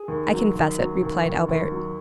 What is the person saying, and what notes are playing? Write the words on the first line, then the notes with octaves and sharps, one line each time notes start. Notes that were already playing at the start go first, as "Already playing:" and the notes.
"I confess it," replied Albert.
Already playing: G#4
D#2
F#3
D#2
F#3
D#2
D#2
D#2
F#3